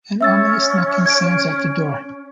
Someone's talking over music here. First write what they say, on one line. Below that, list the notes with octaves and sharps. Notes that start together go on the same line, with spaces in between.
An ominous knocking sounds at the door.
C#4 E5 E6 A6
G#6 D7